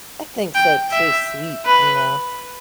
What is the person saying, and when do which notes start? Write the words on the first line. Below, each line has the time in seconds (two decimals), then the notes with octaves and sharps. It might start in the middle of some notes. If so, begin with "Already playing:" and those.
I think so too sweet, you know?
0.55 G5
0.92 E5
1.66 B4